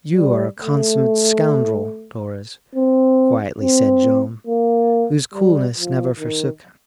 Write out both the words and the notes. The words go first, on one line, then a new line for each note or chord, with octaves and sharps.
"You are a consummate scoundrel, Torres," quietly said Joam, whose coolness never forsook him.
G3
A3
C4
C4
A#3
G3
F3
D#3